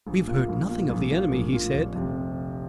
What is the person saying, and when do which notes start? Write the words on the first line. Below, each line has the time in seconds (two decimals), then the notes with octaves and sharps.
"We have heard nothing of the enemy," he said.
0.07 A#1
0.27 A#2 A#3 F4
0.49 A#1
0.69 A#2 A#3 F4
0.90 A#1
1.11 A#2 A#3 F4
1.32 A#1
1.52 A#2 A#3 F4
1.74 F1
1.95 F2 C3